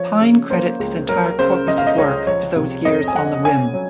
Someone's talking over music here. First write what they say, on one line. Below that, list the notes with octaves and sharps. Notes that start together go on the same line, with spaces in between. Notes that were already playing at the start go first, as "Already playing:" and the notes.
Pyne credits his entire corpus of work to those years on the Rim.
Already playing: F3 C#5
C#3
A#3 C5
C#2
F#3 A#4
C#3 C5
C#2 D#5
F5
D#5
C#2 C#5
F3 C#5
C3
F2 D#5
G#5
F2 F#5
C#4 G#5
F#3